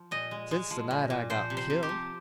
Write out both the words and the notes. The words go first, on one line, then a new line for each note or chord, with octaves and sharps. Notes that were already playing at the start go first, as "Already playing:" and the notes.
"Since the night I got killed."
Already playing: F3
A#2 D#5
G#3
G#3
F3
A#2
A#2
F3 C5
C3
C5
C3
G4
F3